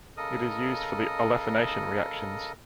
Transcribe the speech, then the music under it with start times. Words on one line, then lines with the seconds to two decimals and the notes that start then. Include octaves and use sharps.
It is used for the "olefination" reactions.
0.17 C#3 A4 A#4 D#5 D#6